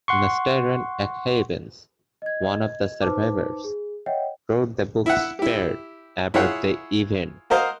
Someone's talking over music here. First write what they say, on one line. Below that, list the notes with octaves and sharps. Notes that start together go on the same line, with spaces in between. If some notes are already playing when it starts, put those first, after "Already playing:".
Nastaran Akhavan, one of the survivors, wrote the book "Spared" about the event.
F#5 C6 C#6
D#5 G#6
D#4 B4 C5 A5 D6
G#4
C#5 D#5 E5 F#5 G5
E4 E5 F#5
E4 G4
E4 F4 G#4 C#5 F#5
F#4 A#4 C5 D#5 F5